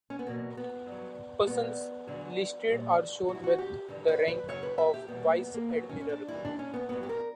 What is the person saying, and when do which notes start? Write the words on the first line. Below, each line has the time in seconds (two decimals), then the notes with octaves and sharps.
Persons listed are shown with the rank of vice admiral.
0.10 C#4
0.19 B3
0.27 E2 B2 F#3 A#3
0.57 B3
0.86 G2
0.92 F#3
1.47 A#2 G3 B3
2.07 E2 D3 F#3
2.68 A#2 G3
3.28 E2 D3 G3 F#4
3.35 E4
3.44 F#4
3.58 G4
3.88 G2 D3 G3
4.08 B4
4.28 B4
4.48 F#2 C#3 F#3 C#5
4.63 B4
4.78 E5
4.94 G4
5.08 E2 B2 G3 B3
5.23 A#3
5.38 B3
5.54 A#3
5.69 E2 D3 F#3 B3
5.89 C#4
6.01 C#4
6.09 D4
6.28 F#2 E3 G3 E4
6.45 D4
6.59 C#4
6.74 B3
6.89 G2 F#3 B3
7.03 G4
7.09 A#4